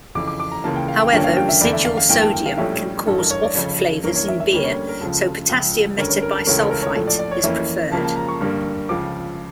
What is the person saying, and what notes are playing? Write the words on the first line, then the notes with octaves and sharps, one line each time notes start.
However, residual sodium can cause off flavors in beer so potassium metabisulfite is preferred.
F2 C#3 E3 D6
D6
D6
A#5
C#2 C#3 E3 A#3 A5
G5
F5
G5
G2 D3 F3 A#3 C#4 G5
F5
G5
E5
F1 E2 D3 A3 D5
E5
F5
F5
G2 E3 A#3 G5
A5
G5
F5
A#1 A2 G3 C#4 E5
A1 G2 E3 A4
A#4
C#5
D5
F1 F2 C#3 F3 C#5
G2 E3 A#3 C#4 A#4
C#5
E5
E5
D2 D3 G3 A#3 C#4
C#5
A#4
C#2 C#3 F3 A4
C#2 C#3 F3
D2 D3 G3 C#4 A#4
C#5
A#4
A4
C#2 C#3 E3 A3 C#4 A#4
A4
A#4
C#5
A#1 A2 F3 A3
D5
D5
C#5
F2 E3 A#3 C#4 E5
C#2 C#3 F3 A#3 A5
A5
A#5
C#6
G2 D3 G3 A#3
C#2 C#3 F3 D6